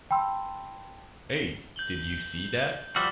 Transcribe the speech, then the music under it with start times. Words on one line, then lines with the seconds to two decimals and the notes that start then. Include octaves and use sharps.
Hey! Did you see that?
0.11 G5 A5 B5 C6 E6
1.76 G6 F#7 G7
2.96 F3 G3 F#4 D6 E6 F6